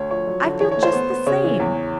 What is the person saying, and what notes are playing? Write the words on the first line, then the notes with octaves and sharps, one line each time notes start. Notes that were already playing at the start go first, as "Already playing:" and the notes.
I feel just the same.
Already playing: D2 C#5
F3 C#5
F#3
D3
E3 C#5
C#5
A3
C5
B3
B3
C#3 C#5
E3
E2